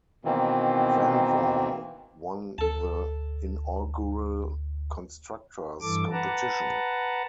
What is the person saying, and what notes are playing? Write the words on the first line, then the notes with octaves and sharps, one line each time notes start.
Vanwall won the inaugural Constructors' competition.
B2 D#3 E3 A#3 C4
D2 A4 A5
G2 E3 A4 D6
B4 F#5 A5 A#5